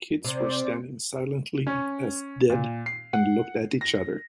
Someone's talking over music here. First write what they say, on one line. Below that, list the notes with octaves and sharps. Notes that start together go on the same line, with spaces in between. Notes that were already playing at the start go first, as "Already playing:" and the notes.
Kids were standing silently as dead and looked at each other.
C3 C5 D5
C#4
A#2
C7
F#5
A#6